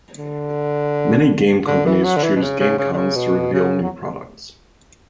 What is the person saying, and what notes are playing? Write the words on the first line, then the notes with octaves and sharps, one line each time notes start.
Many game companies choose game cons to reveal new products.
D3
D3
E3
F#3
D3
E3
B2
C#3
C#3
C#3
D3
C#3
B2
C#3
F#3